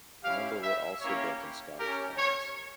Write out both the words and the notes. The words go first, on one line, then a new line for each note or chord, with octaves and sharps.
A number were also built in Scottish towns.
C#4 E4 G4 F5
E5
A#3 C#4 E4 G4 C#5
C#4 G4 A#4
C#5